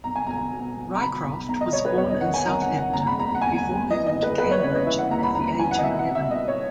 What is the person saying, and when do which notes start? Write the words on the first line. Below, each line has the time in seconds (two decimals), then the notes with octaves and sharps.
Rycroft was born in Southampton, before moving to Cambridge at the age of eleven.
0.04 B1 A#5
0.16 G#5
0.27 B1 A#5
0.53 B2
0.77 B2
0.95 A#5
1.01 B2 B5
1.24 B1
1.48 B1 A#5
1.61 D#5
1.73 B2 C#5
1.85 B4
1.97 E1 C#5
2.10 D#5
2.21 D#3 F#5
2.34 G#5
2.45 D#3 A#5
2.62 F#5
2.69 D#3
2.78 F#5
2.93 F#1 A#5
3.07 B5
3.18 E2 A#5
3.35 F#5
3.42 E2 G#5
3.67 E2
3.90 E3 D#5
4.06 D#5
4.15 F#1
4.22 B4
4.38 E2 B4
4.51 C#5
4.63 C#3 C#5
4.75 D#5
4.86 E3 E5
4.98 F#5
5.10 D#2 A#5
5.23 B5
5.35 D#2 A#5
5.47 A#5
5.59 E3 G#5
5.71 F#5
5.78 D#5
5.83 B2 E5
5.99 F#5
6.08 B2
6.15 E5
6.31 B2 D#5
6.48 C#5